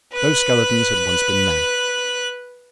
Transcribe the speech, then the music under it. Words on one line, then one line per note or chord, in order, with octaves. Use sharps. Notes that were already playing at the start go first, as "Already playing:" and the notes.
Those skeletons had once been men.
B4 F#6